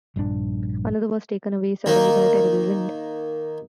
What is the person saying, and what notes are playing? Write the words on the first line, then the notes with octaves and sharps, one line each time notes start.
Another was taken away suddenly by a terrible wind.
A#1 G2 C#3 D4
D#3 A#3